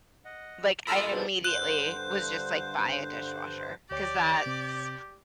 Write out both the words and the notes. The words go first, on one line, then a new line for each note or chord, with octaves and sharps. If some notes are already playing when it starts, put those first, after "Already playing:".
like, I immediately was just like, "Buy a dishwasher." 'Cause that's
D#5 F#5
D4 F4 A4 A#4 B5 E6 F6
G#2 B2
G2 D3 C5 F#6
D2 G4 C#5 D5 G5
C3 C4